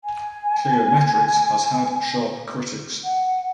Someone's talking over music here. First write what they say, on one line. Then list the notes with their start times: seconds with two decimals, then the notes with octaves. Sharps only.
Cliometrics has had sharp critics.
0.04 G#5
3.04 F#5